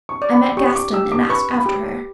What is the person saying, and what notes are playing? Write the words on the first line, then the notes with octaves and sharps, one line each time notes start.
I met Gaston and asked after her.
C#6
D5
B5
G4 C#6
C#6
D6
G4 E6
D6
B4 C#6
B5
G4